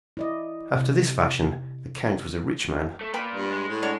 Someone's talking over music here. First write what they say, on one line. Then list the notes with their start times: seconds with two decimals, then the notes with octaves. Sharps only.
After this fashion the count was a rich man.
0.17 E4 D5 D#5
0.75 C3
3.01 A3
3.14 A#3 B4 D5 G5 B5
3.35 G2
3.50 G#3
3.68 A2
3.83 G#3 D4 F#4 C#5